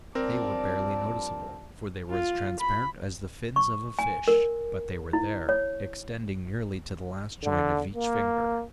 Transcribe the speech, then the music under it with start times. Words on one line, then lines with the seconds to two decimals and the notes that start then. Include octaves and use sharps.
They were barely noticeable, for they were as transparent as the fins of a fish, but they were there, extending nearly to the last joint of each finger.
0.15 G2 F3 C4 A#4 D5 A5
2.10 F4
2.60 B5
3.56 C#6
3.99 G#5
4.28 A#4
5.13 E4
5.49 C#5
7.42 D3
7.94 A#3